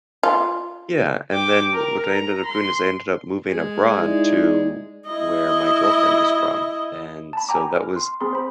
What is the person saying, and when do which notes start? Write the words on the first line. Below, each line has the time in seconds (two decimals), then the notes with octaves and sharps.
Yeah, and then what I ended up doing is I ended up moving abroad to where my girlfriend is from, and so that was,
0.23 F4
1.31 G5 D6
1.73 A#4
2.13 A#5
2.46 C6
3.49 G#3 G#4
4.00 D#4 E4 D5
5.08 E4 D#5
7.33 A5 B5
7.49 G5 G#5 A#5 B5 D6
7.75 F6
7.96 C6
8.21 C4 G#4 B5 C6
8.33 C5 B5